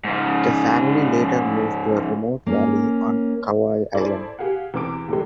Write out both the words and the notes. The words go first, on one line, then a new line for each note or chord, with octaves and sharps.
The family later moved to a remote valley on Kauai island.
G#2 C#3
A#3 C#4
E4 G#4 A4 C5 D5
G4 G#4 F5 F#5
E2 E3 C4 D6 D7
E2 A2 G3 G#3